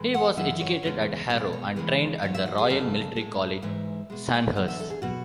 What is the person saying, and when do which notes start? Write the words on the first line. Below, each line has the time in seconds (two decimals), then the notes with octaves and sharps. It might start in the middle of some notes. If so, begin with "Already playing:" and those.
He was educated at Harrow and trained at the Royal Military College, Sandhurst.
Already playing: A2 E3 G#3
0.14 F#5
0.36 F#2 C#3 E3 E5
0.61 C#5
0.83 E2 C#3 G#3
1.30 B2 G#3 D5
1.53 C#5
1.76 E2 C#3 E3 G#3
2.23 G#2 F#3 C#5
2.34 E5
2.46 F#4
2.58 G#4
2.69 F#2 C#3 F#3 A4
3.16 A2 G#3
3.62 G#2 E3 G#3 E5
4.10 B2 G#3
4.55 E2 D3 F#3 F#5
4.68 E5
4.80 A4
4.90 G#4
5.02 B2 F#3 F#4